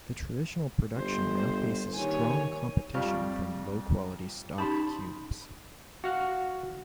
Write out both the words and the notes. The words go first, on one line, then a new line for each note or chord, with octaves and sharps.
The traditional production now faces strong competition from low-quality stock cubes.
G1 C5
D#2 C#5 G#5
F2 G3 F5 C#6 F6
C#4 D#4 G4 A5 B5 C6
F#4 F5 F#5